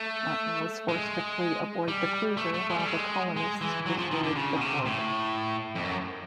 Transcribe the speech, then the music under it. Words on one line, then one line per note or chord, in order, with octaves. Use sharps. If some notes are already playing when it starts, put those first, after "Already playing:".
Martin was forced to flee aboard the "Cruiser" while the colonists destroyed the fort.
Already playing: A3
G#3
G3
A3
A3
G#3
G3
G#3
G#3
E3
F#3
F3
D#3
D3
C#3
B2
C3
A2
F2
F#2